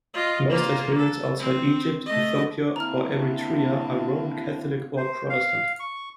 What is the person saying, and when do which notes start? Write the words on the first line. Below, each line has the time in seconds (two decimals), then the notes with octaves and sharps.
Most adherents outside Egypt, Ethiopia and Eritrea are Roman Catholic or Protestant.
0.14 F4 D#5
0.50 A#3 F4
0.98 A4
1.39 C4
2.06 A3 D#5
2.76 D3 A#3 C4 E4 A5 A#5 F6
4.97 C5
5.30 F5
5.80 C#6